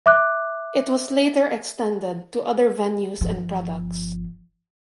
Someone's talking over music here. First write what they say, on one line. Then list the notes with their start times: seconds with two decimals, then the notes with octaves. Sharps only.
It was later extended to other venues and products.
0.06 E5 D6 F#6
3.21 G1 F3